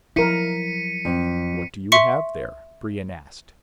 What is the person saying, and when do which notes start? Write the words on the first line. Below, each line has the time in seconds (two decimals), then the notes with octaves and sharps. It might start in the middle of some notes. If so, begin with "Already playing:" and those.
"What do you have there?" Brion asked.
0.16 F3 F#3 E4 A#4 B6 C#7 D#7
1.05 F2
1.92 E5 C6 C#6 B6 C#7